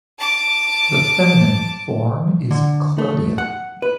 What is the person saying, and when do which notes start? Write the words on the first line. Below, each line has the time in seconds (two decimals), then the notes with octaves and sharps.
The feminine form is Clodia.
0.20 A5 D6
2.51 D3
2.98 A3
3.38 F#5
3.82 B4